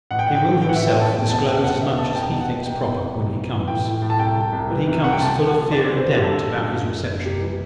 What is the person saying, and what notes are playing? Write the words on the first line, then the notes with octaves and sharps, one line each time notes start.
"He will himself disclose as much as he thinks proper, when he comes: but he comes full of fear and doubt about his reception."
A1 F#5
G5
A1 F#5
G5
A2
E3 G5
F#5
E5
A2
G5
A1 A5
E1 G5
B2 A5
E1 G5
E1 F#5
B2 E5
E1 A5
A5
C2 G5
B2
F#5
B2
C2 G5
B2
C2
B1
E3
E3
A2 G5
A2
A2
A5
C2 G5
C2
C2
E3
C2
C2 F#5
G5
D2 A5
D2
F#5
D2
D2 D5
E3
C5
D2
G4
D3 A4
D3
F#2
F#1
F#1
F#1
C2 G4
E3